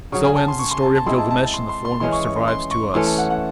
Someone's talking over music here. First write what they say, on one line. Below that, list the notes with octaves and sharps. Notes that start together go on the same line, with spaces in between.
So ends the story of Gilgamesh in the form which survives to us.
C#3 F#3 C#4 G#4 C#6
G#5
A5
C6
C#6
C6
A5
A5
G#3 C4 E4 G#4 C6
A5
A5
A5
C6
C6
C6
E3 G#3 C#4 G#4 C6
C#6
C#6
C6
C6
C#6
E3 A3 C#4 C6
A5
F#5
F#5